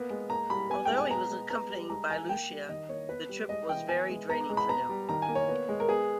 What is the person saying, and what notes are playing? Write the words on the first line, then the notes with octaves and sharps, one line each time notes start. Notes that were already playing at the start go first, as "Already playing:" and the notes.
Although he was accompanied by Lucia, the trip was very draining for him.
Already playing: A#3 B3
G#3
A#3 A#5
G3 B5
B3 G#5
G#3 G5
G#5
B3 A#5
G#3
B3 A#5
G3
G#3 A#5
E3 G#5
A#3 G5
G3
D#3 D#5
A#3 C#5
B3 B4
G3
G#3 D#5
E3 G5
B3 G#5
G#3
B3 A#5
G#3
B5
B3 A#5
G3
D#3 A#5
G#5
A#3
C#5
B3
G#3
A#4
B3 G#4